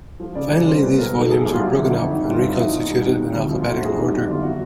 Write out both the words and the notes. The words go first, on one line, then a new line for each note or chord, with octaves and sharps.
Finally, these volumes were broken up and re-constituted in alphabetical order.
F3
C#3 D5
C#2 C#5
G3 C5
A#2 B4
B1 A#4
D#3 A4
F#2 G#4
G#1 G4
F4
F#3 E4
D3
F2
D#3
G2
F4
G#1 E4
F3 D#4
A#2
C2
D#3
C3
D2
F3 E4
F4
D3
F#4
F2 G#4
D#3 G4
F#2
E4
G1 F4
F#3 F#4